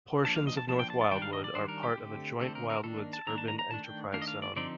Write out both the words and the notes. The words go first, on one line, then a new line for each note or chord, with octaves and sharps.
Portions of North Wildwood are part of a Joint Wildwoods Urban Enterprise Zone.
F3 A#3 D4 A5
F5
D#5
A5
F3 A#3 D4 A5
G5
A5
A5
D#3 G3 D4 G5
F5
D#5
D5
D#3 G3 D4 C5
A#4
G4
D3 A3 C4
D3 A3 C4 A4
A#4
A#4
D#3 A#3 D4 A4
A5
D#3 A#3 D4 A#5
A5
A#5
A#5
D#3 A3 D4 A5
G5
D#3 A3 D4 F5
D#5
F5
D5
D3 F3 C4 D#4 D5